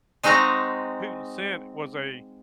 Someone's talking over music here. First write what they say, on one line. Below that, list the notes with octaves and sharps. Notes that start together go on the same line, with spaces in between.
Putin sent was a
G#3 C4 D#4 F#4 D#5 A#5